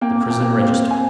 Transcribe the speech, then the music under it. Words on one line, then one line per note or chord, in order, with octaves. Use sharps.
The Prison Register.
A#3 G5
A#3
G5
A#3
C4 F5
C4
G#5